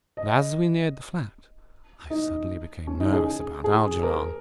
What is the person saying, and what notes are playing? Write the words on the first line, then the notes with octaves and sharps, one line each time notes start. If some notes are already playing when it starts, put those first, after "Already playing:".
But as we neared the flat I suddenly became nervous about Algernon.
D#5
D#4
C#4
D#4
G#4
G#4
A#4